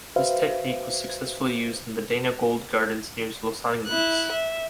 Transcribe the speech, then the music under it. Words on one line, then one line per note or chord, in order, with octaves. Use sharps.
This technique was successfully used in the Dana Gould Gardens near Los Angeles.
F#4 B4 C5 E5 F5
E4 F#6
E5